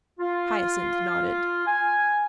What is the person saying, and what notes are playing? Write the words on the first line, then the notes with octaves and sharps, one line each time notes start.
Hyacinth nodded.
F4
G#5